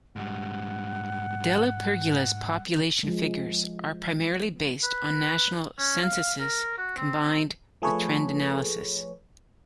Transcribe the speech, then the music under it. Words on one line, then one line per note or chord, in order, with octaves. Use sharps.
DellaPergola's population figures are primarily based on national censuses combined with trend analysis.
G#2 G3 F#5
F3 G#3
B4
C#4
F5
A#4
F#4
C4
F3 A3 G#4 A4 B4 C#5